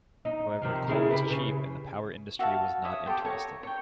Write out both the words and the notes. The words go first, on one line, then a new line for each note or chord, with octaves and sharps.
However coal was cheap and the power industry was not interested.
D#4
C3 D#3 F3
C#3 G#3 E4
G4 B4
C#3
F#4 E5 F5 A5
C#5 E5 D#6
G4 A4 C5 G5
C#5 A#5 C#6
C#5 G5